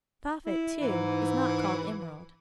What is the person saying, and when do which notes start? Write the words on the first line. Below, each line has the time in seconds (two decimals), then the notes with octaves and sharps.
The prophet, too, is not called Emerald.'
0.46 E4
0.81 G#2 E3